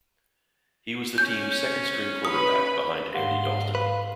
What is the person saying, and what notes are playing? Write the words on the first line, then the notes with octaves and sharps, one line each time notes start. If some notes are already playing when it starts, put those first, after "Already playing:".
He was the team's second-string quarterback behind Andy Dalton.
C#4 G6
B4 B5 D#6
G#2 G4 F5 F#5 C6
B4 F5